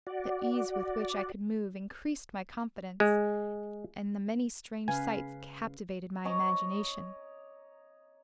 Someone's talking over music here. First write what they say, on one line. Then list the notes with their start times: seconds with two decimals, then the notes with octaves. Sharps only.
The ease with which I could move increased my confidence, and the many strange sights captivated my imagination.
0.07 F#4 D5
3.00 G#3
4.88 C#3 B4 F5 G#5
6.25 C#5 D#5 A#5 D6